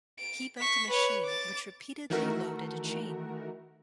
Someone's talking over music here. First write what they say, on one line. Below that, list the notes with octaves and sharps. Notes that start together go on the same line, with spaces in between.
He built a machine which repeatedly loaded a chain.
D7
C#6 B6
B4 C#5
D6 A6
D#3 E3 A3 F#4 A#4